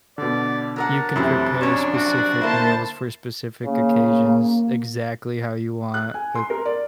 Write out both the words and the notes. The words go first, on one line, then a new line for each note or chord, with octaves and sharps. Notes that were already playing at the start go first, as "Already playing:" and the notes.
you can prepare specific meals for specific occasions exactly how you want with
B2 D3 D5
F#3 D4 A#4 F#5
F#2 C3 E3 A3 E4
F2 C#4 D4 C#5 D5 A5
F#4
D3 A#3 E4 A#4 C5 A5
C#3 A#3
F#6
G#5
C6
A#4
D5